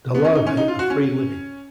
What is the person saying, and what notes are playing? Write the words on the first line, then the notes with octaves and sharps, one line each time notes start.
The larvae are free living.
B3
C#4
D#4
C#4
D#4
F4
F#4
C#4